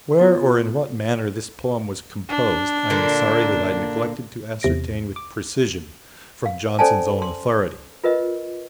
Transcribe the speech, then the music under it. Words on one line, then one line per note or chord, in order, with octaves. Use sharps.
Where, or in what manner this poem was composed, I am sorry that I neglected to ascertain with precision, from Johnson's own authority.
B3 F4
D4
A#2 D3 A#3
E2 C3 A#6 D7
D6
F5
C#4 A4 C5 D5 G#5 A5
C6
F4 A#4 B4 D#5